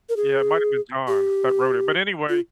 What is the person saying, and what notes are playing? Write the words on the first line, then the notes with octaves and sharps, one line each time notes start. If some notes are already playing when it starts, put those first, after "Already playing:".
Yeah, it might have been John that wrote it but, anyway,
A#4
G#4
G4
F4